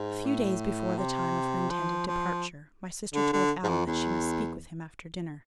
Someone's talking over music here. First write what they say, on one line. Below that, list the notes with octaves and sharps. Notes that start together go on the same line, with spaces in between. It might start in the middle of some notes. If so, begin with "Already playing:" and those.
A few days before the time of her intended departure my sister told Allan that she must speak with him after dinner.
Already playing: G#2
A2
C3
F3
F3
D3
D3
G#2
F2
E2